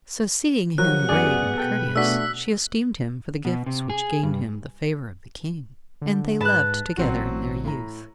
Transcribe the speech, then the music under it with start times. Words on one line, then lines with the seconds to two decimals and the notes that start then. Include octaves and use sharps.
So seeing him brave and courteous, she esteemed him for the gifts which gained him the favour of the King, and they loved together in their youth.
0.78 F3 F#3 F#4 G4 A#4 F#5 F#6
1.09 F#2 B3 G#4 D5 D#6
1.58 B2 A4 G5 B5 G6
1.96 A3 D4 F#4 E6 B6
3.45 B2
3.66 C3
3.90 G#4
4.23 G2
6.02 D3
6.41 G#2 B4 A5 B5 F#6
6.97 A1 F#3 C4 F#4
7.65 A2 A#5